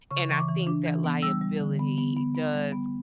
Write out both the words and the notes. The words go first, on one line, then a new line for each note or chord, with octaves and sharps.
and I think that liability does
C#3 C#6
E3 C#6
D6
E3
D4 D6
E3
B3
G3 E6
G3
D3
B3
B3
B3
B3
G3
B3